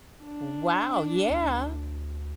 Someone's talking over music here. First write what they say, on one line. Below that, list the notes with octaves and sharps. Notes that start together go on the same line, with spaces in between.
Wow, yeah!
D4
D2